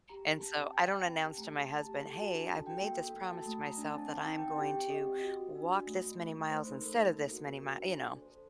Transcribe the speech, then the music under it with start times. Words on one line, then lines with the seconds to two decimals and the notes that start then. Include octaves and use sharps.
And so, I don't announce to my husband, "Hey, I've made this promise to myself that I am going to walk this many miles instead of this many mi", you know.
0.09 G4 A#5
0.25 G4
0.42 C4 A5
0.58 C4
0.73 C4 G5
0.90 C4
1.05 C4 A5
1.22 G4
1.38 A3 A#5
1.54 A3 A5
1.70 A3
1.81 G4 A#5
2.02 A4 A5
2.17 F#4
2.34 D4
2.50 A4
2.66 F#4 G5
2.82 A#3
2.98 A4
3.15 A#3
3.30 F#4 A5
3.46 A3
3.61 A3 A#5
3.77 D4
3.94 C4 A5
4.10 C4
4.26 D#4
4.37 C4 G5
4.58 G4 G5
4.75 C4
4.90 G4 D#5
5.06 C4
5.22 F#4
5.39 F#4
5.55 D4
5.71 F#4
5.87 A3
6.02 A3
6.18 A3
6.35 A3
6.50 A3 C5
6.67 D#4 A#4
6.82 A3 A4
6.99 D#4
7.14 A#3 A#4
7.30 F#4
7.47 A#3 A#4
7.62 F#4
7.78 D4 C5
7.95 A4 C5
8.11 A4
8.22 A4 C5